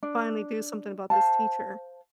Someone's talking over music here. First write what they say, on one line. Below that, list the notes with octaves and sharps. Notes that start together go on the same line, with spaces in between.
finally do something about this teacher.
D4
C5 F5 A5